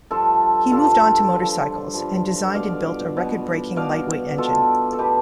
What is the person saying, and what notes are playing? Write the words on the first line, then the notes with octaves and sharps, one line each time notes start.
He moved on to motorcycles and designed and built a record breaking lightweight engine.
G2 F3 F4 A4
G2 F3 F4 A4
G2 F3
G2 F3
B2 D5 F5
B2
B2 D5 F5
B2 F4 A4
A4
B2 G4 B4